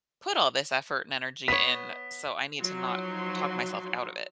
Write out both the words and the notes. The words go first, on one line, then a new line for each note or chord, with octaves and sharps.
put all this effort and energy in." so I need to not talk myself out of it.
B3 C#5 B6
F3 F#3 D#4 F#4 C5 C6